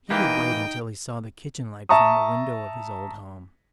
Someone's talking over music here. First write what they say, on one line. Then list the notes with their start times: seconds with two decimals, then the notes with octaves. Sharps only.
He would wait until he saw the kitchen light from the window of his old home.
0.10 E3 A#3 D#4 G4 D#5 G5
1.89 E5 A5 A#5 C#6 D#6